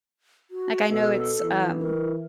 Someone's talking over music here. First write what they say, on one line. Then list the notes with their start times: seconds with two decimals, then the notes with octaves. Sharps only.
Like I know it's, um
0.51 F#4
0.90 B2 A4
1.42 E3
1.80 A#4